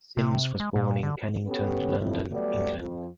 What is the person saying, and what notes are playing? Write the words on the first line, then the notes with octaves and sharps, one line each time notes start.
Sims was born in Kennington, London, England.
C3
G#3
A#2
D3
B3 C#4 G4 A4 B4 C#5
F2 A2
F#3 G3 A3 B3 F#4 D5
F2